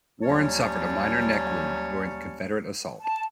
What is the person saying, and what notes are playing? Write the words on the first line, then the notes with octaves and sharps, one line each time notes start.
Warren suffered a minor neck wound during the Confederate assault.
D#2 F#3 G3 C#4 C#5 A5
A5